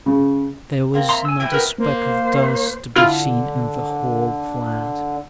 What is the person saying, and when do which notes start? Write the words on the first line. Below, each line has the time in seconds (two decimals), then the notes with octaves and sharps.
There was not a speck of dust to be seen in the whole flat.
0.06 C#3
0.94 A#3 C4
1.09 E5 A#5 C6
1.25 G#5 E6
1.40 E3 E4 C5 G5 G#5
1.52 B3 A#4 B4
1.78 A#3 C5
2.96 D3 E4 F4